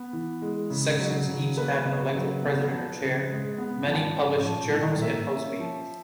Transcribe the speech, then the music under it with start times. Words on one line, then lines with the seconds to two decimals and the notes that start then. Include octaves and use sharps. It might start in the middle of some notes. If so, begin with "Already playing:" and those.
Sections each have an elected president or chair; many publish journals and host meetings.
Already playing: B3
0.13 E3
0.42 G#3
0.70 C#3
0.99 F#3
1.28 C#3
1.57 A#3 B4
1.85 C#3
2.15 F#3
2.43 B3
2.73 F3
3.01 C#3
3.30 G#3
3.58 B3
3.87 F3
4.16 C#4
4.45 F3
4.73 A2
5.02 A#3 E5
5.30 C#4
5.59 F3